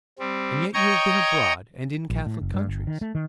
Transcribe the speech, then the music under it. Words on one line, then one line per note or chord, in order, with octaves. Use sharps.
"And yet you have been abroad, and in Catholic countries?"
G3 C4
C#5 D#5 G5 A#5 C#6 G#6
A#1
A2
F#1
G2
G1
D#3
A3
D#3